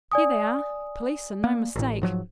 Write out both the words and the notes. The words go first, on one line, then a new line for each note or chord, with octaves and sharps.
'Here they are--p'leece, and no mistake.
D5 G#5 D#6
A#3
A1 A2
G#2 F3 F#3